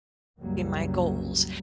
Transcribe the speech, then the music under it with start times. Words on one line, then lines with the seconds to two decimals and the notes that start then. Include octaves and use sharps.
my goals.
0.40 C2 F#2 C#3 F#3 G3 A#3